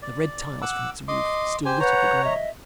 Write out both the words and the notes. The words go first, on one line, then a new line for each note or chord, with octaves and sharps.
The red tiles from its roof still litter the ground.
D5
F#5 D6 E6
D#5 C6 D6
G4 C5 G#5
B4 C#5 F#5 A#5 G6
D#5 E5